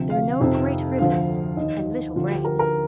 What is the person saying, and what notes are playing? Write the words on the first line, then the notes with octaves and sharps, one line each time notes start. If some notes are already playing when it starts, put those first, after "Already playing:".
There are no great rivers and little rain.
Already playing: D2 C3 F3
F5
F2 C3 D#3
D2 D3 F3 F5
D#2 D#3 D#5
D2 D3 F3 F4
G4
A#4
A#4